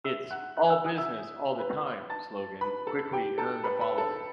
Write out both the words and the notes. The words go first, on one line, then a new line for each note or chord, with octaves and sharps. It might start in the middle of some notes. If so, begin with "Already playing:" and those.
Its "All Business All The Time" slogan quickly earned a following.
E5 E6
F#5 F#6
F#6
E6
D#6
E5 E6
B4 B5
A5 A6
B4 B5
A4 A5
G4 G5
A4 A5
B4 B5
B4 B5
A4 A5